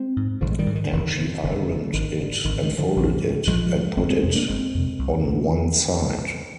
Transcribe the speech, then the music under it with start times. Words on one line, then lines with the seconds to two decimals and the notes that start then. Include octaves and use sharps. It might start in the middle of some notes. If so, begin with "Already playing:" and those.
And she ironed it and folded it, and put it on one side.
Already playing: G#3 C4
0.16 G#2
0.41 A#1 D3 F3
0.52 G#3
0.59 D#3 G3
0.66 G#2
0.75 D#3
0.85 D3
0.92 F1 D#3
1.17 F2 C3
1.44 F1 D3
1.69 F2 C3
1.94 G#1 D#3
2.20 G#2 D3
2.44 G#1 D#3
2.62 D#3
2.70 G#2
2.78 D3 F3
2.96 A#1
3.22 G#2
3.47 A#1 F3 G#3
3.73 G#2
3.97 G1 G#3 C4
4.10 G#3 C4
4.22 F2 C3 G#3 C4
4.35 A#3 D4
4.48 G1 G#3 C4
4.74 F2 C3
4.99 C2
5.24 A#2